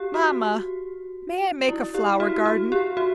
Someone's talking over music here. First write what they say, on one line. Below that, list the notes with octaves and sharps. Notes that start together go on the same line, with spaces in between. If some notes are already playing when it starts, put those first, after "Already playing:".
"Mamma, may I make a flower-garden?"
Already playing: F#4 G4
F#4
E4
G4
F#4
F#4
G4
F#4